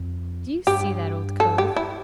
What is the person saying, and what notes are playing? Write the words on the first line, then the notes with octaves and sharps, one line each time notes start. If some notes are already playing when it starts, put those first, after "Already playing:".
"Do you see that old cove?"
Already playing: F2
G2 G4
A4
G4
E4